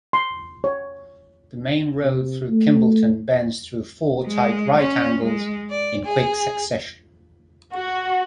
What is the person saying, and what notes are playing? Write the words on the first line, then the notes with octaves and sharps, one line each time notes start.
The main road through Kimbolton bends through four tight right angles in quick succession.
C6
C#5
C3
A3
G#3
C#4
G#3
D5
G#4
F#4